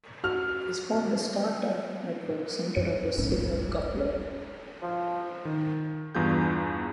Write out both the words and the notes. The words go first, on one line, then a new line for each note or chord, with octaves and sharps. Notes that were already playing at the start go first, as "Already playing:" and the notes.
This formed a star-type network centered on the signal coupler.
F#4 F6
F#2
D#1 A#1 G#2 C#4
F3
D#3
E2 G2 F4 G#4 G6